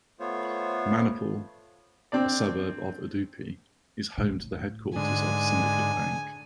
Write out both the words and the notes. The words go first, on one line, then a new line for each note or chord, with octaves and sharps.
Manipal, a suburb of Udupi, is home to the headquarters of Syndicate Bank.
A3 B3 F4 C5 C#5
C4 D4 D5
A2
G#2 D3 G#5